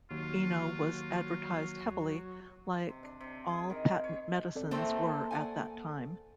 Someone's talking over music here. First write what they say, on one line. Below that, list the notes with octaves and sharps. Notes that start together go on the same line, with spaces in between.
Eno was advertised heavily, like all patent medicines were at that time.
D#2 F#3 F4
C3
D4
C3
G#4
D#3
C#5
C4 A4 D5
E3 A3 A#3 C4 A4 C5 A#5
D5 F#5 G#5